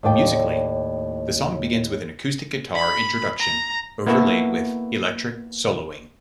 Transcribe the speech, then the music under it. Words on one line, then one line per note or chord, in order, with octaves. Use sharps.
Musically, the song begins with an acoustic guitar introduction overlaid with electric soloing.
D#2 A2 D5 G5
B5
A#5
A#3 B3 E4 F#4 A4 E5